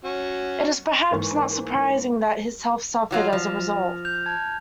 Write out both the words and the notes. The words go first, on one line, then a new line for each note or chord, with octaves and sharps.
It is perhaps not surprising that his health suffered as a result.
C#4 F#4
G#2 E3 A#3 C5 G#5 C#6
F3 F#3 F4
F3 F6 A#6 F7
G6 F7
A5 G#6